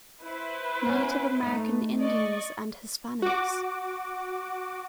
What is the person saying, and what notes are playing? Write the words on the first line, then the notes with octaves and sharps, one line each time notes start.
Native American Indians and Hispanics.
E4 B4 C5
B3 C#4
A3 D#4
D5 D#5 C#6
F#4 D6